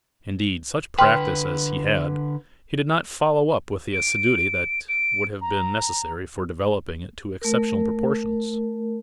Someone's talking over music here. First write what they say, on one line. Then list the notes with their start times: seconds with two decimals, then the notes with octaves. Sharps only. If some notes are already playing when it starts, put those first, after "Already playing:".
Indeed such practice as he had he did not follow up with the assiduity that would have been necessary for developing it to exceptional proportions.
0.99 D3 B4 G5 C6 F6
3.93 D7
4.89 D7
5.41 A#5
7.42 A3 A#4